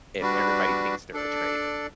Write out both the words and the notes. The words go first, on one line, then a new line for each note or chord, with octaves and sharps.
if everybody thinks they're a traitor.
G3 D4 F#4 B4
D4 A4 D5